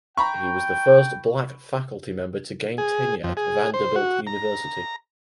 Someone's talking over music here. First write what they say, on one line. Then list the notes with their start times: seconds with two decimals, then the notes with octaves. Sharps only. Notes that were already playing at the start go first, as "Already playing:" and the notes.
He was the first Black faculty member to gain tenure at Vanderbilt University.
0.17 G5 A#5 B5 C#6
2.78 G#4
3.24 F2
3.37 G#4
3.74 C5
3.96 F#4
4.27 A#5